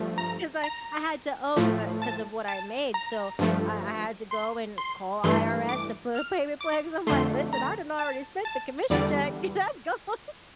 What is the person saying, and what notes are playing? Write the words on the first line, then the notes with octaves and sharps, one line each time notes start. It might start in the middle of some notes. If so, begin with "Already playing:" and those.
'Cause I I had to owe 'cause I 'cause of what I made, so I I had to go and call IRS to put a payment plan 'cause I'm, like, "Listen, I done already spent the commission check, that's gone,"
Already playing: G2 F3 A3
A#5
A#5
A2 F3 A3
A5
A5
A#5
G2 F3 A3
C6
C6
G2 E3 A3 C6
D6
F6
D6
F2 D3 A3 C6
A#5
A5
A5
E2 D3 G3 D5